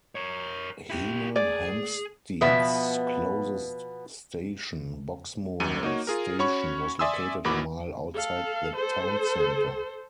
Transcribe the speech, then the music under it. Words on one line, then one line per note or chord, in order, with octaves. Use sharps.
Hemel Hempstead's closest station, Boxmoor station, was located a mile outside the town centre.
A#4 C#5
E4 G4
G#4 D5
B2 F3 B3 B4 E5
G1 F#2 D#7
A#3 D#4 F#4 C#5
F4 G#4 A#4
C#4 F#4 C#5 B5 C#6
D5 E5 G#5 C6 D#6 E6
A1 E3 A#3 F#4 B5 D6
A4 F5
A4 C5